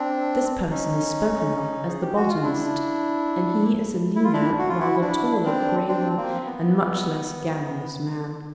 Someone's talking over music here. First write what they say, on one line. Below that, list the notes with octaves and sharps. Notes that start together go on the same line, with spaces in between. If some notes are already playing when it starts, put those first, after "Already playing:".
This person is spoken of as the botanist, and he is a leaner, rather taller, graver and much less garrulous man.
Already playing: C4 D4
C#4 D#4
G#4
G4
F#4
F4
D4 E4
E4
F4
D4 E4
F#4
F4
E4 F#4
D4 E4
C4 D4
C4 D4
A#3 C4
B3